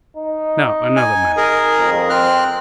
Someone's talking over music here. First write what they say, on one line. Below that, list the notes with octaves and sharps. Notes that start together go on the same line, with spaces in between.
Now another matter.
D#4
G#5
G#4 A#4
F2
C4 F6 F#6